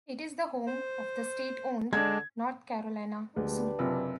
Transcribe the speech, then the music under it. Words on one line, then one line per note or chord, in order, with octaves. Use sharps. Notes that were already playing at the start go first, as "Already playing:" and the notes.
It is the home of the state-owned North Carolina Zoo.
C5
D3 G#3 D4 G#6
D2 G#3 D4 G4 B4
F#1 C3 F4